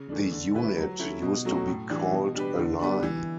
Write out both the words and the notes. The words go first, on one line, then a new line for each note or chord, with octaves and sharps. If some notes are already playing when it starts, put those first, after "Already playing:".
The unit used to be called a "line".
Already playing: C#3
E3 A3 D4
D3
A3 E4 G4 B4
F#3
C#4 E4 A4
B2
F#3 A3 C#4 F#4
A2
E3 G3 D4
B2
G3 D4 G4 B4
D3
G3 B3 D4
E3